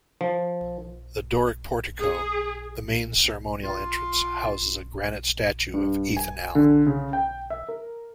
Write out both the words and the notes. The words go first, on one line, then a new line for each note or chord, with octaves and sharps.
The Doric portico, the main ceremonial entrance, houses a granite statue of Ethan Allen.
F3
G#4
F4
G2
G#5
D3
C#3
G5
E5
A#4